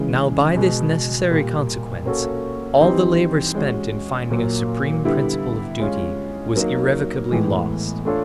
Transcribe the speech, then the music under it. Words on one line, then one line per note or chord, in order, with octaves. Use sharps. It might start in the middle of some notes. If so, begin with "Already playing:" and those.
Now by this necessary consequence all the labour spent in finding a supreme principle of duty was irrevocably lost.
Already playing: C#3 E3 G#3
B2 G#3 B3
A#2 G3 A#3
A#3 C#4 F#4 A4
E3 G3 C4 D#4 G4
G#3 C#4 F#4
A#2 F#3 A#3
D3 G3 B3 E4
G#3 C#4 F4
F#3 A#3 D#4
A2 E3 G#3 B3
A3 D4 F4 A4 C#5